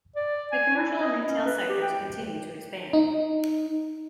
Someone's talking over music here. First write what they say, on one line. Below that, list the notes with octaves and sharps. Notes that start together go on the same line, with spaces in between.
The commercial and retail sectors continue to expand.
D5
G#5
E4
D#5
C#4
B4
G4
G5
D#4